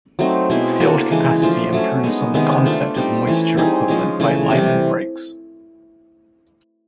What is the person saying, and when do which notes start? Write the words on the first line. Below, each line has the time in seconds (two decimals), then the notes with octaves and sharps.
Field capacity improves on the concept of moisture equivalent by Lyman Briggs.
0.19 F#3 A3 C4 D#4
0.50 B2 G#3 C4 E4
0.80 A#3 D4 F#4 A4
1.11 C#3 E3 G#3
1.42 F3 A3 D4 F4
1.73 F#3 A3 C#4
2.04 G#3 B3 D#4
2.34 C3 D#3 G#3 B3
2.65 A3 D4 F4
2.96 G3 C4 D#4
3.27 E3 A3 C#4
3.57 G3 C4 D#4 G#4
3.88 F3 G#3 C#4
4.20 C#3 E3 A3
4.50 C3 E3 G3